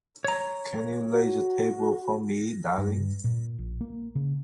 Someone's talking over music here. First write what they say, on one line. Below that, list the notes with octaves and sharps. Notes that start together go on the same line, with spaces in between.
Can you lay the table for me, darling?
C#5 A#5
F#4
G2
A#2
A#1
A#3
C#3